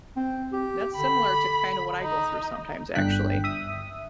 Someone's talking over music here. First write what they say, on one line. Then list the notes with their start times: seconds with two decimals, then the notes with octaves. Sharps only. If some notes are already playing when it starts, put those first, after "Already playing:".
that's similar to kinda what I go through sometimes, actually.
0.16 C4
0.53 G4
0.97 D3 B5
2.03 D#4
2.95 G1 D3 G5 F#6 B6
3.44 E5 D#6